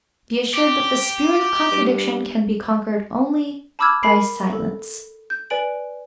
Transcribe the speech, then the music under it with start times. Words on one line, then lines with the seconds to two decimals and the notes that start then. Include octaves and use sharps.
Be assured that the spirit of contradiction can be conquered only by silence.
0.54 G4
1.71 G2
3.79 A5 B5 D6 E6 F6 G#6
4.03 A#4 B5 C7 D7
4.53 A4
5.30 G6
5.50 B4 D5 G#5 D7 F#7